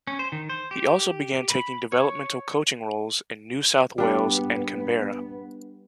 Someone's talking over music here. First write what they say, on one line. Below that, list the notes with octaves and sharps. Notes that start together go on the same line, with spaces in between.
He also began taking developmental coaching roles in New South Wales and Canberra.
C#4
C5
D#3
C5
G4
B5
C#5
G3 B3 D4